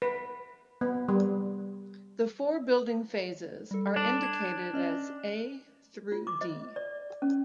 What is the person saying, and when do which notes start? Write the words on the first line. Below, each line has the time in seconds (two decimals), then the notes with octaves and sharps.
The four building phases are indicated as a–d.
0.02 B4
0.81 B3
1.09 G3
3.71 G3 A4
3.96 D4
4.22 G#6
4.73 C#4 D5 D#5
6.12 F4
6.27 D6
6.41 D#5
6.76 D5
7.22 C#4